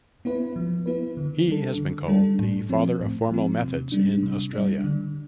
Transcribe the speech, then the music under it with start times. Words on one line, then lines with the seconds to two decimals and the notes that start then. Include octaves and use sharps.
He has been called "The Father of Formal Methods in Australia".
0.25 B3 E4 B4
0.56 F3
0.86 B3 E4 B4
1.17 D3
1.48 G3 D4 A4
1.78 D3
2.08 G3 D4 A4
2.39 A2
2.69 F3 C4
3.00 A2
3.31 F3 C4
3.62 C3
3.92 G3 D4
4.23 C3
4.53 G3 D4
4.84 D3